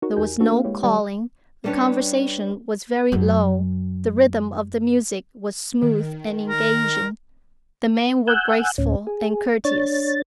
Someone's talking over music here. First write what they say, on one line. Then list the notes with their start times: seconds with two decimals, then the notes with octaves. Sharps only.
There was no calling, the conversation was very low, the rhythm of the music was smooth and engaging, the men were graceful and courteous.
0.02 D#4 F#4 A#4 C#5
0.16 E2 D#4 G4 A#4 G#5 G6
0.40 A#3 D4 F#4 A4 B4
0.52 A#3 F5
0.65 G#3 E4 G4 B4 C#5
0.84 D#3 G3 G4 C5 D5 G#5
1.64 G3 C#4 D4 B4 C#5
3.12 F#2 F#3
5.82 D#3
6.48 A#4
8.28 F#5 G#5 E6 F#6 G6
8.78 D2 A2 C#4
9.07 G#4
9.65 D4 C#5 A6